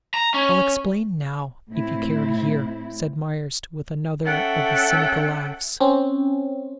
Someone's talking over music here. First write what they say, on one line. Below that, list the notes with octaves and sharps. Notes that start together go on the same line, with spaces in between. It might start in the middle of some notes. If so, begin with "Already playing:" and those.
"I'll explain now, if you care to hear," said Myerst with another of his cynical laughs.
A#5
C#4
A2 C4 E4
C#4 A4 E5 F#5 G5
C4 C#4